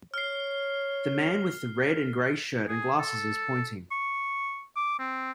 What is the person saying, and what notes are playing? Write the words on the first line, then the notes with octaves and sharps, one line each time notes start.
The man with the red and gray shirt and glasses is pointing.
C#5 F6 C7
G#4
A4
C#6
D6
C4